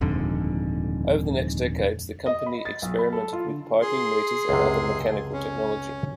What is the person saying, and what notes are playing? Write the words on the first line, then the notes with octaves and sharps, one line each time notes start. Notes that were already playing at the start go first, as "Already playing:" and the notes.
Over the next decades the company experimented with piping, meters, and other mechanical technology.
D#1 F2 G#2 D3
D#5
B5
A6
B1
B5
A4
F4
D3
G#4 C6
C#2 F#2 C3
C#4